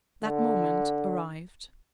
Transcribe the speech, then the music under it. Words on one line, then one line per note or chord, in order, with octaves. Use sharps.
That moment arrived.
D3